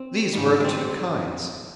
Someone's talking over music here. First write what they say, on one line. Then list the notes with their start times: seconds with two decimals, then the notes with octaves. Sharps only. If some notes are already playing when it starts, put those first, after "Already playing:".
These were of two kinds.
Already playing: C4
0.33 G#2 D#3 G3
0.60 D4
0.64 C4